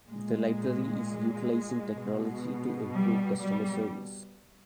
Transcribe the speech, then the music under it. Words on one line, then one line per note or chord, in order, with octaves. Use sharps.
The library is utilizing technology to improve customer service.
A#2 G#3
B2
G3
G3